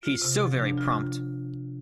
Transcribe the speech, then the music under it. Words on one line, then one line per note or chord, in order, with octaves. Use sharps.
He's so very prompt!
F4
C3
F3
D4
F4